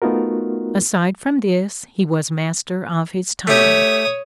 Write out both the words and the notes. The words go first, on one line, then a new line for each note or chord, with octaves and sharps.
Aside from this, he was master of his time.
A3 B3 D#4 F4 F#4 A#4
A3 G4 C#5 D#6